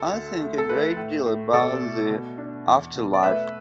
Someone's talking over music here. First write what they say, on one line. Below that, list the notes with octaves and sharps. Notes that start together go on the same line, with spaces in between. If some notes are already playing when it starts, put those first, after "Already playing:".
I think a great deal about the after-life.
Already playing: D2 A4
D2
A3
A4
A3 B4
A2
A2
B2 A4 D5
A3
B2
D4
E2
B2
D5
A3 B4 E5